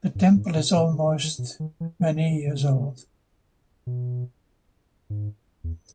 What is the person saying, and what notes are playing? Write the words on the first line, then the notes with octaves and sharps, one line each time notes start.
The temple is almost many years old.
G2
G#2
B2
A#2
C#3
D#3
D#3
B2
D#3
E3
D#3
D#3
D#3
C#3
B2
G#2
E2